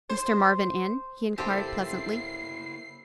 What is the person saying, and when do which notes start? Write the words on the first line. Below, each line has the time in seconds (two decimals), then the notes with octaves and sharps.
"Mr. Marvin in?" he inquired, pleasantly.
0.09 C5
1.38 A#3 C4 E4 G4 A4 C7